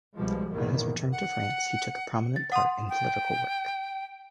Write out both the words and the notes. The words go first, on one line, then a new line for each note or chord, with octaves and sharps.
On his return to France he took a prominent part in political work.
C2 B2 F3 G3 G#3
F#1 E2 A#2 D#3 A#3
F#5
A6
F#5 C6 D#6
G5